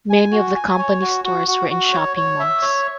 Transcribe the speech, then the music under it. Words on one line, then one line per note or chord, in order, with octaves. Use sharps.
Many of the company's stores were in shopping malls.
G#5
F#4
G#5
C#5
F#4
F#4
F#4
F#4
C#5
C#5
E5
C#5